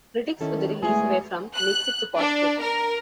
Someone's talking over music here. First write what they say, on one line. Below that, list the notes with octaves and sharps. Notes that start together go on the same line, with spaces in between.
Critics for the release were from mixed to positive.
D#3 C#4 E4 A4
E2 G#3 A3 G#4
F#6
D4
A#4